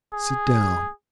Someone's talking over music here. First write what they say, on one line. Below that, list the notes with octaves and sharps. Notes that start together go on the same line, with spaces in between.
Sit down.
G#4